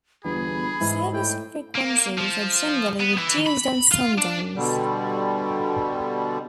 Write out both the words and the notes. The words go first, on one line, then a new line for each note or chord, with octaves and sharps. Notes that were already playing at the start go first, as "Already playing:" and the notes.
Service frequencies are generally reduced on Sundays.
G1 E2 G#4 B5
G#2 E3
A2 G5
A#3
F3
B3
E3
B5
F4
D4
B2 D3 G3